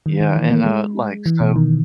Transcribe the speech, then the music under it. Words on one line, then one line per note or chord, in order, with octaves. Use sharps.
Yeah. And, uh like, so
D#3
D#3
E3
A#3
G#3
E3
B2
D#3